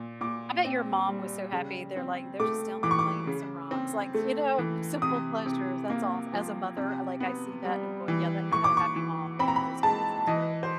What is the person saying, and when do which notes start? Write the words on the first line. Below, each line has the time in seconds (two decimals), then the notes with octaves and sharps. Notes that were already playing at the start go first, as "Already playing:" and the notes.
I bet your mom was so happy there like, "They're just down there playing with some rocks, like, you know, simple pleasures, that's all." As a mother, like, I see that and I'm going, "Yeah, that" you had a happy mom during those days, that's great.
Already playing: A#2
0.21 A#2 D6
0.64 C4
1.08 G3
1.52 C#3
1.96 C4
2.40 A3 D6
2.83 E3 D6
2.91 C#6
2.99 D6
3.27 C#3
3.71 C4
4.14 A3
4.59 E3
5.02 C3 D#6
5.46 C3
5.90 A#3
6.33 F3
6.77 C3
7.20 B3
7.65 G3
8.08 E3
8.51 E3 C#6
8.64 D6
8.77 C#6
8.96 E3
9.39 C4 B5
9.48 A#5
9.56 B5
9.83 G#3 A5
10.27 E3 D#5
10.63 C5